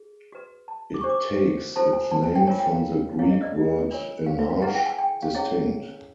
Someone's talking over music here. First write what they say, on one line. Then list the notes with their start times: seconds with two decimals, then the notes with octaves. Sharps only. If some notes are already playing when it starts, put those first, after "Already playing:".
It takes its name from the Greek word enarge, distinct.
Already playing: G#4
0.32 F#4 B4
0.68 A5
0.94 D6
1.01 D4 G4 C5 C#6
1.10 D6
1.76 F4 A4 C5 A5
1.93 G#5
2.11 A5
2.23 G#5
2.36 G5
2.47 F4 A#4 C#5 G#5
2.59 G5
2.71 F5
3.19 E4 G#4 C#5 F5
3.31 D#5
3.43 D5
3.55 D#5
3.91 D4 F4 A#4 C#5
4.26 F5
4.39 E5
4.50 F5
4.62 E4 G#4 B4 F#5
4.74 G5
4.86 G#5
4.99 G5
5.23 F5
5.34 C#4 E4 G#4 C#5